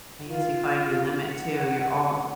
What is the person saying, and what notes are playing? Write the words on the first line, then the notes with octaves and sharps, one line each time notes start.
I guess you find your limit, too, you're all
F4
F#5